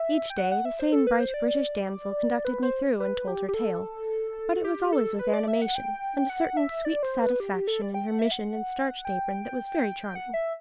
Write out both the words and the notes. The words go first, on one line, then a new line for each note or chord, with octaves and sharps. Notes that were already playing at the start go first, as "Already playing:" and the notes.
Each day the same bright British damsel conducted me through, and told her tale, but it was always with animation, and a certain sweet satisfaction in her mission and starched apron that was very charming.
Already playing: E5
G5
F#5
F#5
E5
C5
A4
B4
C5
D5
B4
C5
B4
G4
G4
A4
G4
A4
B4
D5
E5
F#5
G5
F#5
E5
D5
C5
B4
G4
G4
A4
D5
G5
F#5
E5
F#5
G5
F#5
E5